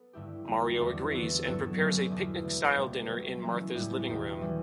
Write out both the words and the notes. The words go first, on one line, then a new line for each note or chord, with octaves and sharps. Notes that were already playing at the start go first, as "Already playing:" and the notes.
Mario agrees, and prepares a picnic-style dinner in Martha's living room.
Already playing: B3 A4
G2 D3 A3 E4 G4
E2 D3 G3
E2 D3 A3 D4 F#4
E3 B3 F#4 A4
G2 F#3 B3 F#4 A4
G2 D3 A3 C#4
E2 B2 A3 D4
D2 D3 A3
C#2 B2 G3
C#2 B2 F#3 A3
E3 A3 C#4 E4
A2 G3 C#4
E2 B2 G3 D4 G4
E3 G3 C#4